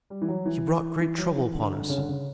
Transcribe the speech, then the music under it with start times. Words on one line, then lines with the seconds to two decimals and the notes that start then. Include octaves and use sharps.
He brought great trouble upon us.
0.10 G3
0.22 E3
0.28 F#3
0.45 E3
1.00 E3
1.18 F#3
1.36 E3
1.55 D3
1.82 D3
1.89 C#3
1.98 D3
2.08 C#3